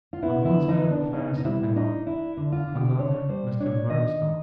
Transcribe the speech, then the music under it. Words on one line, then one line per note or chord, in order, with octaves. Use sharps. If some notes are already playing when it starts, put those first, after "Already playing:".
On one side of the fire, sat my mother; on the other, Mr. Murdstone.
F4
B3 E4
E4
D3
D#4
B3
D4
B3 D#4
D#4
G3 E4
D4 D#4
D4 E4
D3
F4
D3
G4
D4 C#5
G3 C5
D4 C#5
D#3 D#5
D#3